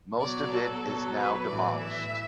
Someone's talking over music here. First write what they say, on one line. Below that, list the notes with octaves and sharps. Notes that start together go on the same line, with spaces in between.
Most of it is now demolished.
B2 F#3 D5
A4
B2 F#3
B4
A2 E3 D5
E5